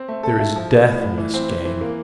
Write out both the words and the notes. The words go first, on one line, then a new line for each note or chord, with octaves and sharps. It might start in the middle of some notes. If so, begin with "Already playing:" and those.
There is death in this game.
Already playing: C4
A3
A4
E4
F3
F3
A2
A2
E3
C4
E3
E3
A#3